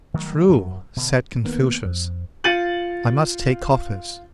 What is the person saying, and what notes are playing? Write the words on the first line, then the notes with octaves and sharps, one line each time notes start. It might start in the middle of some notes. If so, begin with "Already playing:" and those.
True, said Confucius; I must take office.
D#3 F#3 G3 A3
F#2 F#3
B2 D3
D#3 A#3 B3
F2
F4 A6 C#7 D#7 F#7